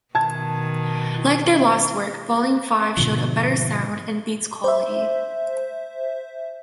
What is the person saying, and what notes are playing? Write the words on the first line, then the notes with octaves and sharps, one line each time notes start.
Like their last work, "Volume Five" showed a better sound and beats quality.
B2 D#3 A5 G#6
G#2 B2 D3 F3
C5 E5